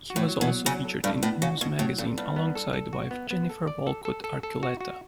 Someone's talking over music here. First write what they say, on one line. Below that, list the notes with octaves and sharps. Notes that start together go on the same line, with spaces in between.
He was also featured in "Moves" magazine, alongside wife Jennifer Walcott Archuleta.
F#4
A2
F#3
B2
F#3
C#3 F#3
A4
G2 A4
A2 B3
C#3 F#4
B2 F#4
A2 F#3
G2 A4
G2 B3
B3
A4
A4
F#4
B3
B3
A4
D5
A4
A4
A4
A4
F#4
F#4